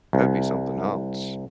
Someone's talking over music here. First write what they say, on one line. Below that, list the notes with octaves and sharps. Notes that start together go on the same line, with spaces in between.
that'd be something else.
C2